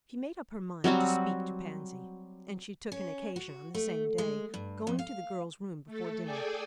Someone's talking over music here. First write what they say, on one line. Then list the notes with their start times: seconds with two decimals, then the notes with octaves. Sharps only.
She made up her mind to speak to Pansy, and she took an occasion on the same day, going to the girl's room before dinner.
0.84 F#3 G3 C4 F#4
2.92 C#4
3.36 F#4
3.75 A3
4.18 G#3
4.54 G2
4.87 F2
4.99 F5
5.86 A3 A4
6.23 G#4 A4 D5 G5 G#5